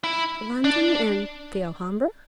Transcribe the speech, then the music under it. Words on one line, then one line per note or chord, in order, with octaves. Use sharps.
'London and the Alhambra!'
E4
D4